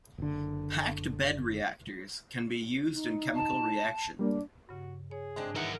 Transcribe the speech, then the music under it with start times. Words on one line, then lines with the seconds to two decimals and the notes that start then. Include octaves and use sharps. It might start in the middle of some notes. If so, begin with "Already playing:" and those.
"Packed bed reactors" can be used in chemical reaction.
0.18 F#1 D3
2.92 D#4
3.35 A5
4.19 G3 A#3 D4
4.69 G2 C#3 F#4
5.11 G#4 C#5
5.36 G#2 G#3 C4 D4
5.56 A#2 D#3 E3 A#4 F#5